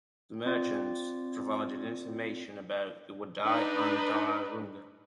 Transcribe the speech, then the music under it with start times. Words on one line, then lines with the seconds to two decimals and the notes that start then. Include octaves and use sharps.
The merchants provided information about the Wadai and Dar Runga.
0.46 C4 F4 D5
3.44 D4 D#4 B4